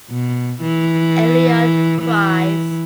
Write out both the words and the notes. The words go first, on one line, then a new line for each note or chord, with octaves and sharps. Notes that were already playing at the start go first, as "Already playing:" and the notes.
Eliot Prize.
B2
E3
E3